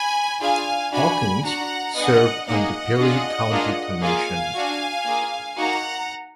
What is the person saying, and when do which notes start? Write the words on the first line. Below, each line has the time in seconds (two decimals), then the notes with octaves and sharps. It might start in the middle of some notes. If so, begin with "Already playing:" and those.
Hawkins served on the Perry County Commission.
Already playing: G#5 B5
0.40 D4 F4 G#4 F5 G#5
0.92 D4 F#4 G#5 B5
1.44 D4 F#4 F#5 A#5
1.95 B3 D4 G#4 D#5 F#5
2.46 A#3 D#4 G#4 D#5 F#5
2.98 D4 F4 G#4
3.51 A#3 D4 F4 G#4
4.01 A#3 F4 G#4 F5 G#5
4.54 D4 F#4
5.05 A#3 F4 G#4
5.57 A#3 D#4 F#4 F#5 A#5